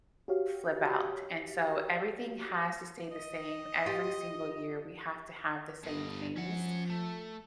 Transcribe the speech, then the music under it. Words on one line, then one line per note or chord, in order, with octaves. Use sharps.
flip out, and so, everything has to stay the same. Every single year, we have to have the same things,
F#4 G4 C#5 F5
D#5
F4 G4
G1 G2 D#5
F3 C#4 F#5
A3